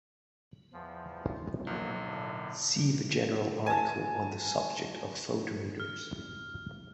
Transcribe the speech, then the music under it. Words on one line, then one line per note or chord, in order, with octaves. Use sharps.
See the general article on the subject of photometers.
E2 F3
B1 A#2 F3 F#3 A#3
A2 D3
G#5 A5
F6